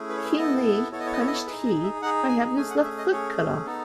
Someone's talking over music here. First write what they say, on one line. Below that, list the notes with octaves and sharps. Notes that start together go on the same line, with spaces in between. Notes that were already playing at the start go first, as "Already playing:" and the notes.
King Li punished He by having his left foot cut off.
Already playing: A3 C#4 E4 G#4
B4
C#5
B4
B3 E4 A4 D#5
B3 E4 A4 C#5
D#5
C#5
D#5
C#5
D#5
C#5
D#4 G#4 B4
D#5
E5
D#4 G#4 F#5
G#5
A3 C#4 G#4 G#5
F#5
E5
D#5
A3 C#4 G#4 C#5
B3 D#4 A4